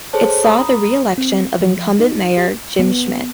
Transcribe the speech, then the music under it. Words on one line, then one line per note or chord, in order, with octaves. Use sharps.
It saw the reelection of incumbent mayor Jim Schmitt.
G#4 A4 C5 C#5 A5
A#5 B5 D#6
C4
F3
D#4
G4
B3